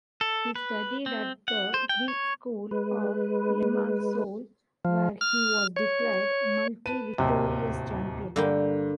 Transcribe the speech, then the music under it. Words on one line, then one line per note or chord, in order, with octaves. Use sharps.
He studied at the Greek School of Limassol where he was declared Multi-victorious Champion.
A4
B4
C4
F#5
C5
G5
C#5
G#3 B4
F3
F6
C#5
B4 A5 D#7
D1 D#2 C3 D#5
G2 D3 A#3 G5